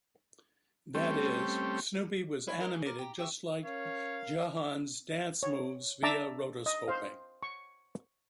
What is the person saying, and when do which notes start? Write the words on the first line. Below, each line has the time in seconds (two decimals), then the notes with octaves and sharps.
That is, Snoopy was animated just like Jahan's dance moves via rotoscoping.
0.95 G3 A3 C4 C#4 G4
2.47 E4 C5 C#5 G#5
2.60 A#4 C5 D#5
2.74 G#4
2.86 A#4 D5
2.98 G4 A#5
3.19 G4 E5 C#6
3.65 C#4 A#4 C#5 F5
5.43 C#5
6.03 D4 E5 A5 A#5 D6 E6
6.66 D#5
6.88 C5 F5
7.43 C#6